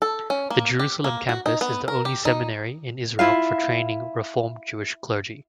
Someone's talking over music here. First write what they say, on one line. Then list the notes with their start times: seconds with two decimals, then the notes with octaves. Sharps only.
The Jerusalem campus is the only seminary in Israel for training Reform Jewish clergy.
0.02 A4
0.30 C#4
0.50 A#3
0.79 G4
1.04 A#3
1.29 F#4
1.46 D#4
1.61 B3
1.88 A#4
2.05 G4
2.25 D#4
3.19 E4 F4 F5